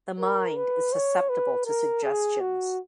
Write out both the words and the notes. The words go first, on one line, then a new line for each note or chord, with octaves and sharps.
The mind is susceptible to suggestions.
A#4
B4
C#5
B4
A#4
G#4
F#4